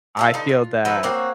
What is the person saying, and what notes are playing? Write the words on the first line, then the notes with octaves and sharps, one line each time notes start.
I feel that
F4 E5 A5
D3 D#4
F4
F3 D#4 B4 E5
A#3 C4 F#4 C#5